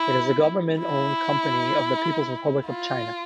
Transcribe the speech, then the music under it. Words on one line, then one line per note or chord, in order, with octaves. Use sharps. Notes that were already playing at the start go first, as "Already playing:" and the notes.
It is a government-owned company of the People's Republic of China.
Already playing: E4
E4
F4